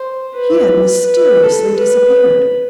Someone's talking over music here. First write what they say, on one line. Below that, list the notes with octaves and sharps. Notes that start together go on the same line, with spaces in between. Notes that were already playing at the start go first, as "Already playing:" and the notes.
He had mysteriously disappeared.
Already playing: C5
B4
B4
A4
B4